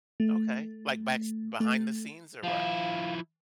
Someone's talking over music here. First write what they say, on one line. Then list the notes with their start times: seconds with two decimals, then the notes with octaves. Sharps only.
Okay, like, backs behind the scenes or what?
0.20 A3
1.60 A3
2.43 F3 E4 F5